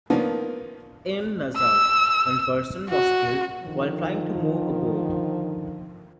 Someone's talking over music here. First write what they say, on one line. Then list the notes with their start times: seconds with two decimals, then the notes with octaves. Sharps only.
In Nassau, one person was killed while trying to move a boat.
0.10 D#3 F3 A#3 B3 C#4 D4
1.57 E6
2.90 F#4
3.63 D3 D#3 F3